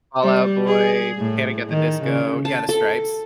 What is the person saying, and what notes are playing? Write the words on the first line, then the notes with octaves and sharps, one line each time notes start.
Fall Out Boy, Panic at the Disco? Yeah, The Stripes.
G3
G#4
A2
D#3
C#3
A5
A4